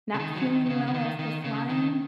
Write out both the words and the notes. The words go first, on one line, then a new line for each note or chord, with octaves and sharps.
not feeling well after flying,
C#3
D#3
F#3
D#3
D#3
C#3
C#3
D#3
D#3
C#3
D#3